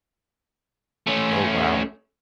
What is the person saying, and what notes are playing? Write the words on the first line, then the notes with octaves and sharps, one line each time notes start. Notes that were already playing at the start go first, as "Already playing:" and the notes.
Oh, wow.
A3 C#4